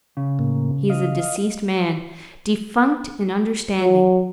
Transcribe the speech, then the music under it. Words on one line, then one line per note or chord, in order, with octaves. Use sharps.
He is a deceased man--defunct in understanding.
C#3
A2 A#3
D#5 F5
F#3